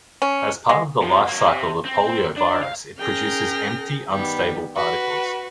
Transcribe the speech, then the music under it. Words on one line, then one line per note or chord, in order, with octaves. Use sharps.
As part of the lifecycle of poliovirus it produces empty unstable particles.
C#4
G#3
C3 F3
F#3 A#3
C3
C4
D4
F5
C#4 G#4 A#4 G5 F6 A#6
D#3 G3 B3
F#4 B4